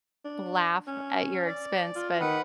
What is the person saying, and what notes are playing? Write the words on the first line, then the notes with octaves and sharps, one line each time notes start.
laugh at your expense, but
D4
C#4
D5
F4
D#3 B4 F#5 B5